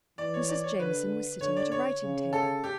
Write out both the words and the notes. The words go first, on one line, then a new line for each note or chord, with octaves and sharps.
Mrs. Jameson was sitting at a writing-table.
E3 D5
C#5
D5
C#5
D3 B4
D3 C#5
D5
C#5
C#3
A4
G4